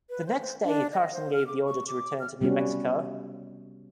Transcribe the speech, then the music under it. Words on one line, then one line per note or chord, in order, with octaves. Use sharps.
The next day Carson gave the order to return to New Mexico.
B4
C5
C5
D4
D#5
C5
F6
D6
C#6
D6
F6
C3 G3 B3 C#4 F#4